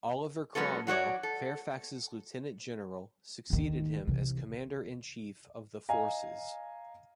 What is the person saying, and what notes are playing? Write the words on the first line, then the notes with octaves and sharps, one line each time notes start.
Oliver Cromwell, Fairfax's Lieutenant-General, succeeded him as Commander-in-chief of the Forces.
F#3 G#3 B3 C#4 A4
F#3 F#4 C#5 D5
A4
D#2 D#3
C3 E3
D#5 F5 G#5 A#5